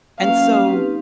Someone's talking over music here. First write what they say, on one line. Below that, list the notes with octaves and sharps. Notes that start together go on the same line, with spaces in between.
And so,
F#3 A#3 C#4 F#4 B4 F5
C4 D#4 G4 B4